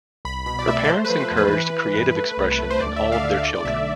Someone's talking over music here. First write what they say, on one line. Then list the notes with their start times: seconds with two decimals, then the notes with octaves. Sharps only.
Her parents encouraged creative expression in all their children.
0.25 C2 B5
0.46 B2 B5
0.59 D5
0.67 A3 E5
0.84 D5
0.89 A3 C5
1.05 B4
1.10 F3
1.21 B4
1.31 E2
1.37 B4
1.53 E3
1.74 E3
1.95 G2
2.16 A3
2.38 C2
2.58 A3
2.70 C5
2.80 D2 D5
2.96 E5
3.02 D2
3.12 F5
3.23 D3
3.44 A3 D5
3.55 D5
3.65 B1 E5